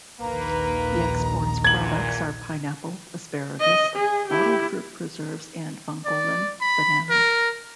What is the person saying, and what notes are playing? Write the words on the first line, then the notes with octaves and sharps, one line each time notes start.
The exports products are pineapple, asparagus, bottled fruit preserves, and Bongolan Banana.
A#1 D#2 D#3 A#3 B4 A#5
E2 A#2 G#6 F#7
D#5
G#4
E4 G4
D5
B5
A#4